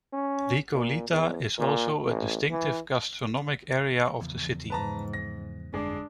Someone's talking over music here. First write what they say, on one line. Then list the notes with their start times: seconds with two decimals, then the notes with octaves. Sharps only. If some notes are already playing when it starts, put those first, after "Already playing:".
Recoleta is also a distinctive gastronomic area of the city.
0.13 C#4
0.72 A#2
1.08 E2
1.58 A#2
2.04 A1
2.50 E3
4.20 E2 C#3 F3
4.70 G#2 B4 A5 A#5
5.13 A#6
5.74 G1 F2 F3 G#3 D4 G#4